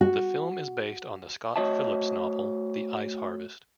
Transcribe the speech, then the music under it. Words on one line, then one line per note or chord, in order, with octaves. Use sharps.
The film is based on the Scott Phillips novel "The Ice Harvest".
F#4
A3 F#4 C#5 D#5 E5 A5